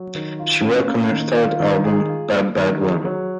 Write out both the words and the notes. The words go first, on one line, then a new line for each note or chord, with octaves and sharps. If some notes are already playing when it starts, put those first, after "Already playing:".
She worked on her third album, "Bad Bad One".
Already playing: F#3
D#3
F4
C#4
A#3
D#3
F4
D#3
G#4
F4
A#3
D#3
G#4
F#3